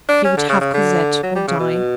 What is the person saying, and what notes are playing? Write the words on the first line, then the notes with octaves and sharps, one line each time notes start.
He would have Cosette or die.
D4
C#4
D3
C#3
C#3
D3
F#3
G3
C#3
B2